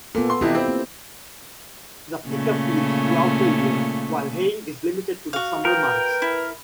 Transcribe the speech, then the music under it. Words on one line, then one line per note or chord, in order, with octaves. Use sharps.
The pika feeds throughout the year while haying is limited to the summer months.
A#2 B3 A4
C6
F2 C3 E3 E4 F4 G4
C4
A#3
A#2 C#3 A3
F#4 F5
A#4 B4 G5
E4